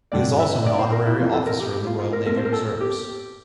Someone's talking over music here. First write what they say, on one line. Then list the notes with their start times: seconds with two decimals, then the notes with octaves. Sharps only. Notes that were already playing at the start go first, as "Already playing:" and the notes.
He is also an Honorary Officer in the Royal Navy Reserves.
0.12 G2 D3 A3 C4 D5
0.39 E5
0.66 D5
0.79 C5
0.92 A#4
1.06 E4
1.20 F2 C3 E3 A#3 F4
1.33 A4
1.46 A#4
1.60 G4
1.73 G4
1.86 F4
1.99 F4
2.13 A#4
2.26 A#2 A3 C4 A#4
2.37 C5
2.45 A#4
2.53 A4
2.81 G4